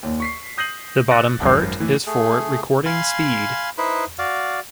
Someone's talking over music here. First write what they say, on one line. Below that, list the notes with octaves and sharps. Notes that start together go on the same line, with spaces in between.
The bottom part is for recording speed.
D#2 A#2
C#6 B6 C7
D#6 G6 A#6 C7 D#7 F#7
E6 F#6 A6 A#6 C#7
G#1 F#2 C7
A2 E3
A3 G#4
F5 G#5 B5 C6
D#4 E4 B4 C5
F#4 D5 F5